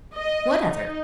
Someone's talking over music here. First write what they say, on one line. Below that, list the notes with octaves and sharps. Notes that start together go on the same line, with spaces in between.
"What other?"
D#5
D#4